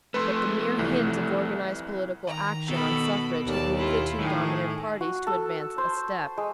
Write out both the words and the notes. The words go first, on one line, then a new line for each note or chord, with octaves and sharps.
But the mere hint of organized political action on suffrage had moved the two dominant parties to advance a step.
F2 A3 B4 C6
C2 E3
D#3 A#5
B2 A4 B5
D#2 D5 A5
E4 F4
A2 D#3 G#4
F#4
A4
C5
G#3